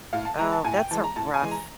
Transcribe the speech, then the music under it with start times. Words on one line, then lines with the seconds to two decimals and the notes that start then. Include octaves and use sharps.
Oh, that's a rough
0.13 A2 F5
0.25 A5
0.39 E3 G#3 A#5
0.52 A5
0.64 A2 G#5
0.77 G5
0.91 E3 G#3 A5
1.04 A#5
1.16 A2 A5
1.34 G#5
1.42 E3 G#3
1.51 A#5